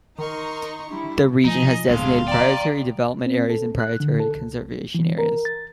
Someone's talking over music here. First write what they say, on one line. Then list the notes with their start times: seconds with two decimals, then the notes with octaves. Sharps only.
The region has designated Priority Development Areas and Priority Conservation Areas.
0.19 D#3 D#4 A#4 A#5 C6 C#6
0.89 G3 D4 E4
1.45 F3 D#4 D#5 G#5
1.89 D1 G2 G#3 B3 F5 C6
2.28 D5 G5 A#5
3.26 C4
3.50 A4
3.80 F#6
4.00 D3
4.20 A4
4.35 C2
4.95 E3
5.18 A#4
5.45 A6